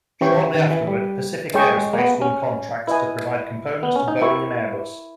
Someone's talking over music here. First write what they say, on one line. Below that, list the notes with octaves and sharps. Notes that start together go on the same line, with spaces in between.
Shortly afterward, Pacific Aerospace won contracts to provide components to Boeing and Airbus.
E3 C#4 G4 C#5 G5 C#6
E3
D#3
E3
G3
G#3 G#4 C#5 G5 C#6
G#3
A#3
B3
C#4
E4 B4 D#5 G#5
B3
C#4
D#4
E4 A#4 E5 G5 C#6